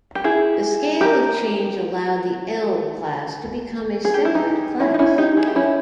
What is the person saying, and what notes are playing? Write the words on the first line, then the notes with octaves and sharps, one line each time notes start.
The scale of change allowed the L class to become a separate class.
G4
E4 G#4
G4 A#4
G#4
G4
E4
D#4 G4
C#4 E4
D#4
C#4 E4
D#4 G4
E4 G#4
G4
C#4 E4